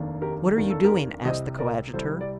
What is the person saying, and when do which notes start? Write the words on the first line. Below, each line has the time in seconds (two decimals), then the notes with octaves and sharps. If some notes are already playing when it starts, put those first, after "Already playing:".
"What are you doing?" asked the coadjutor.
Already playing: F1 D#2 D#3 A#3 D4
0.22 G4 A#4
0.56 F1 D#2 D#3 A#3 D4 A#4
0.70 A4
0.84 G4 A#4
1.25 C2 C3 G3 C5 D#5
1.59 A#4 D5
1.94 C2 C3 G3 A4 C5
2.21 D5